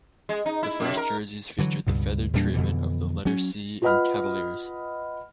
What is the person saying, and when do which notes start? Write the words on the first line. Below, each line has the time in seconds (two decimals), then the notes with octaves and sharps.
The first jerseys featured the feathered treatment of the letter C in Cavaliers.
0.29 G#3
0.46 D#4
0.63 E4
0.80 F#2
0.97 A#4
1.59 D3 E3 F#3
1.87 C#2 G2 B2
2.33 E2 A#2 G3 D4
2.54 F2 B2 D3 E3
3.25 F#3 C#4
3.82 F4 B4 D#5 F#5 B5 F6